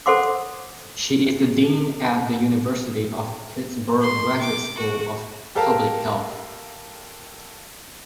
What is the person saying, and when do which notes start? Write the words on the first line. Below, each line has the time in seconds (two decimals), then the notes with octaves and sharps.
She is the dean at the University of Pittsburgh Graduate School of Public Health.
0.06 A4 C5 F#5 C6 D6
4.01 C6
4.41 D6
4.78 F#4
5.55 G4 A4 A#4 F5 A5